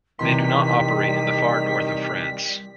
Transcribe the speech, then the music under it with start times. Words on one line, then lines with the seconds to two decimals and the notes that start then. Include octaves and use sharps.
They do not operate in the far north of France.
0.19 C3 D#3 E3 G3 C6 B6